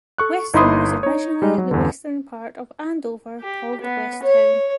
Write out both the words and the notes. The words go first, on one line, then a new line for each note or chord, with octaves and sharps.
Weston was originally the western part of Andover called West Town.
A4 C#6 F#6
G1 D#4 E4 B5 C6 D#6
D#4 C#5
G3 G#3 D#4
F#3
E2 G2 D3
G4
B3
C#5